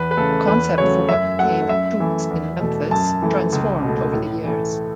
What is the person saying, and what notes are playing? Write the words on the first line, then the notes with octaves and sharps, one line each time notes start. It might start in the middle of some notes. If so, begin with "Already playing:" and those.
The concept for what became "Toots in Memphis" transformed over the years.
Already playing: E2 B4
B4
C#3 A3 A4
E2 B4
C#3 F#3 A3 C#5
F#2 E5
F#3 A3 F#5
F#2 E5
E3 A3
E2
B2 A3
F#2 A5
E3 A3
C#2
B2 A3
A2
E3 A3